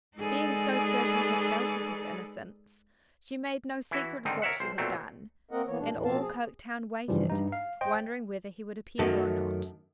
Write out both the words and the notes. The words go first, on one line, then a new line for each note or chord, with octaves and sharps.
Being so certain herself of his innocence, she made no secret of what she had done, and all Coketown waited, wondering whether he would appear or not.
G#3 D#4 G#4 A4 B4 D5
E3 E4 F#4
G#2 D3 D#3 C4 D#4
A#4 C#5 E5 F#5
B1 C5
B1 A#2 F#3 A3 C4
A#3 C4 A#4 D#5 F#5
E3 A#3 B3 C#5
B2 G3 A3 D4
D#2 A2 E3
B2 F3 A#3 C4 F5 A5
G#4
G2 C#3 E3 F3 G3
G2 D#4
F5
C5 D#5 G5
F#2 D#3 A3